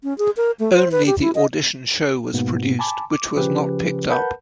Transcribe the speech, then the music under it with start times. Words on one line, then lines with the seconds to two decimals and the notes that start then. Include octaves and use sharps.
Only the audition show was produced which was not picked up.
0.04 C#4
0.18 G#4
0.37 A#4
0.60 A3
0.73 C5
0.91 B4
1.07 G4
1.21 E4
1.35 D#5
2.33 G#2 B2 A#3 B3
2.79 G#5 A5 B5 D6
3.11 D6
3.36 C#3 F3 C#4 G4 B4
4.10 A#4 B4 F#5 A5 B5 G6